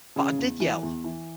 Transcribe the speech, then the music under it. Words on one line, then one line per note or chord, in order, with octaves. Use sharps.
But I did yell.
C#3
E2
E3
E2
E3